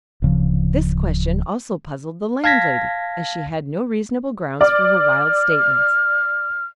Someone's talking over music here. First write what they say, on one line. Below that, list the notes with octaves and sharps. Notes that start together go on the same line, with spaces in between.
This question also puzzled the landlady, as she had no reasonable grounds for her wild statements.
D1 C#3 F3
F5 A5 G#6 A#6 B6
D5 F6